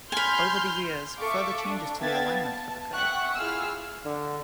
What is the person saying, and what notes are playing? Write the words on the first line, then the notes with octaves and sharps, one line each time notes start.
Over the years further changes to the alignment have occurred.
G#5 B5 C6 F6 G6
A4 E5 F5 C#6 D6
D4
B3 E5 F5 G5 G#6 A6
A5
E5 F#5 G5 C#6 F#6
E4 F4 G#4 F5 E6 F6
D3